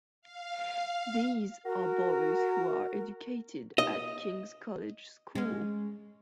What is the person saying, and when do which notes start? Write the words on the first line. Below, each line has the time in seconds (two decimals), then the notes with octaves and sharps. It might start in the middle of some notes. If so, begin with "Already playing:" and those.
These are boys who are educated at King's College School.
0.22 F5
1.65 F#4 A#4
3.78 D#5
5.35 G#3 C#4